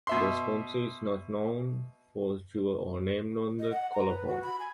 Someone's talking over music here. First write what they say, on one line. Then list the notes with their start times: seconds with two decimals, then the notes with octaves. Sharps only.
The sponsor is not known for sure or named on the colophon.
0.07 B2 E5 C6
3.59 D#5
3.71 F#5
3.93 A#5
4.08 B4
4.27 F#4
4.42 B5
4.60 G#5